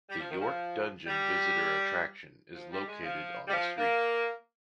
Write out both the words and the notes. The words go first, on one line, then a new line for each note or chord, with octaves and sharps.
The York Dungeon visitor attraction is located on the street.
G3
F3
D#3
F3
G3
F3
G3
G#3
F3
G3
F3
A#3